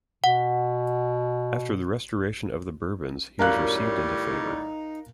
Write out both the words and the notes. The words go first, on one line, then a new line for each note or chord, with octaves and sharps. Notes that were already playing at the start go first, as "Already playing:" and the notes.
After the restoration of the Bourbons he was received into favor.
B2 F#5
F#2 A2 D#3 G3 A#4 F5 F#6
D#4